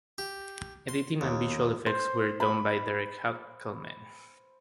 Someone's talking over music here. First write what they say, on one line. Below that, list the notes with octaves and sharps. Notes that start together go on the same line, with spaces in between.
Editing and visual effects were done by Derek Hackleman.
G4
C6
D#2
C5
B5